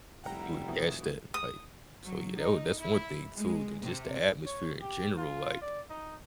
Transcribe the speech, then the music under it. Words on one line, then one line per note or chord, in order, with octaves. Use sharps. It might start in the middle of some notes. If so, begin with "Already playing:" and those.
like you would guess that, like, so yeah, that w that's one thing too, then just the atmosphere in general like.
F1 G3 E4 F#5 G5 A#5
B2 E3
D#6
F#3
D#4
E4
G#3
C3
C#5
G4
F4
D5
D#4